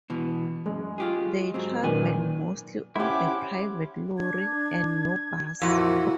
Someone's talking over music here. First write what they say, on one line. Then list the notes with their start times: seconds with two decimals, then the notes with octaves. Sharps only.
They travel mostly on a private lorry and no bus.
0.10 B2 E3
0.66 F#2 G#3
0.98 F4 G4 G#4
1.54 G#2 F#3 C4
1.83 F#2 A#2 D#3 B4 G#5
2.96 C#4 E4 G4 C5 F#5 D6
4.18 D4 G#6
5.62 F2 A#2 E4 F#4